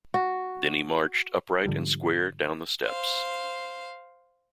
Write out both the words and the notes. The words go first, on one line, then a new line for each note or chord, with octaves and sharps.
Then he marched, upright and square, down the steps.
F#4
G#2 D3 F3 G3
C5 F5